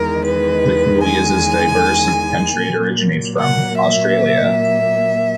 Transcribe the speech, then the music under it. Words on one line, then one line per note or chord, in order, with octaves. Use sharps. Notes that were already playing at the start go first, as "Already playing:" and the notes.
The Koolie is as diverse as the country it originates from, Australia.
Already playing: E2 D#3 G#3 A#4
B4
G#5
A#2 F#3 A#3
F#5
E5